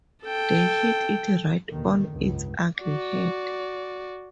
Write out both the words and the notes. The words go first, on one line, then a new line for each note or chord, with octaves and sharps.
They hit it right on its ugly head.
A4 G5
D#2 B2 D3 D#3
F1 C#2 G2
F#4 D5